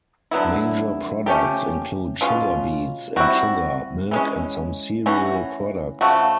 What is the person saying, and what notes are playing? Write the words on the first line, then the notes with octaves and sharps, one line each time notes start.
Major products include sugar beets and sugar, milk and some cereal products.
D3 F#3 B3 E4
F3 A3 C#4 G4
B2 G#3 C#4 F4
G3 C4 E4 F#4
E3 G#3 C#4
E3 A3 C#4 F#4
C#3 F3 A3 F#4